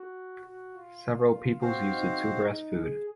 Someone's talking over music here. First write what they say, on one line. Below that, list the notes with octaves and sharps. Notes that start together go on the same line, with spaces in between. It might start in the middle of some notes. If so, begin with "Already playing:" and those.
Several peoples use the tuber as food.
Already playing: F#4
F#4
F4
C4 F#4 C5 F5
D#4
G#4